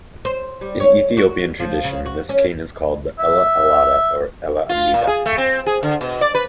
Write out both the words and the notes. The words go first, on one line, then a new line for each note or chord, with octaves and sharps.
In Ethiopian tradition, this king is called Ella Allada or Ella Amida.
C5
G3
C#5
F#4
F3
C#3
F#4
C#4
E5
F4
A#2
G#4
A3
C4
G#4
D3
B2
D5
B4